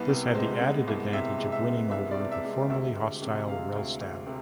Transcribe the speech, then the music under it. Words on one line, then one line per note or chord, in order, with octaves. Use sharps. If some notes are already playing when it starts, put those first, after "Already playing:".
This had the added advantage of winning over the formerly hostile Rellstab.
Already playing: C2 B3 B4
C3
G#3 C5
B3
C2
C3 E5
G#3
E5
B3
C2 E5
D5
C3
E5
G#3
D2 E5
D2
C3
G#3 F5
D2
D2
C3